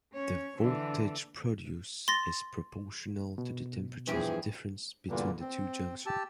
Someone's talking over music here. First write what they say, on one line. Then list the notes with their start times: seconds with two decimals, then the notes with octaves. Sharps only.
The voltage produced is proportional to the temperature difference between the two junctions.
0.13 C#4 C#5
0.58 D3 E3
2.08 C6 A6 A#6
3.38 B2
4.07 E2 G2 E3 F3 G4 G#4
5.09 E2 G2 A#2 D3
5.40 C4
6.06 G4 A5 E6